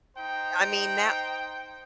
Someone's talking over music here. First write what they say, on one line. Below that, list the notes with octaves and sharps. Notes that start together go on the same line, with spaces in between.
I mean that
D#4 C5 G5